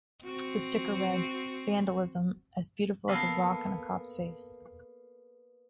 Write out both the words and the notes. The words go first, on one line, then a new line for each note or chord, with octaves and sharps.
The sticker read: "Vandalism: As beautiful as a rock in a cop's face".
C4 F#4
A#3 B3 A4 F5 B5